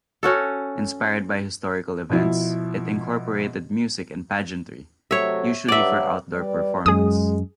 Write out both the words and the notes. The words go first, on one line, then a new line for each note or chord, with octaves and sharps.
Inspired by historical events, it incorporated music and pageantry, usually for outdoor performance.
C#4 F#4 A4
B2 F3 E4
C3 F#3 A3 C#5 E5
G2 F#3 D5 E5
G3 B4 D5
F#2 G#3 G#4 D#6